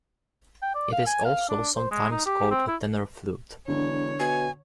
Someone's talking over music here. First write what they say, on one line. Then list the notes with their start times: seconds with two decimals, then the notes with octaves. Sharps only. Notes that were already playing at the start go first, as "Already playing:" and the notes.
It is also sometimes called a tenor flute.
0.62 G5
0.75 D5
0.92 F5
1.07 G#5
1.25 F5
1.49 D4
1.76 C5
1.91 G#3
2.11 D#4
2.26 G4
2.51 C4
2.68 E4
3.68 E1 D3 C#5
4.20 B2 G#5